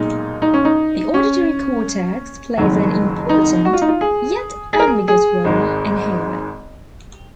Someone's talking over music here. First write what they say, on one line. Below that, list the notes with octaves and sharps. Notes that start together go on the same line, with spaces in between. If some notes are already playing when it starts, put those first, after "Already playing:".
The auditory cortex plays an important yet ambiguous role in hearing.
Already playing: B1 A#2 G#3 D#4
D#4
C#4
D#4
C#4
F#1 F2 D#3 F#3
D#4
F#4
F4
D#4
F4
G#4
G#4
A#4
G#4
G#4
G#1 G#2 D#3 G#3